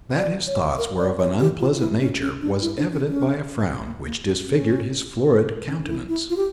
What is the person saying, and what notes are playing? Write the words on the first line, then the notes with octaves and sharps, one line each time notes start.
That his thoughts were of an unpleasant nature was evident by a frown which disfigured his florid countenance.
D5
C#5
A#4
D5
C#5
G4
F4
F4
E4
C#4
C#4
D4
E4
D4
C#4
C#4
A#3
A#3
C#4
C#4
C#4
D4
E4
E4
F4
G4